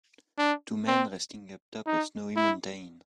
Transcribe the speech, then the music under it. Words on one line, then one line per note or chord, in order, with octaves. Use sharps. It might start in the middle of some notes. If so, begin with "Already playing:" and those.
Two men resting uptop a snowy mountain.
D4
C4
D#4
E4